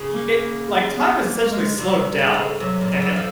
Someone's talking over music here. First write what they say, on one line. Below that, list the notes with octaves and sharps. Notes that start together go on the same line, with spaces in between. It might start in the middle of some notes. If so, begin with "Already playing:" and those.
he it like, time is essentially slowed down and
Already playing: C#3
A#3
B3
A#3
A3
G#3
C3 G3
C#3
D3
C#3
C3 F#3
A#2
C#3
D3
F3